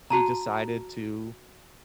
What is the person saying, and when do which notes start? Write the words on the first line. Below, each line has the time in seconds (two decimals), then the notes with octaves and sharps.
he decided to
0.10 F#4 A5 A#5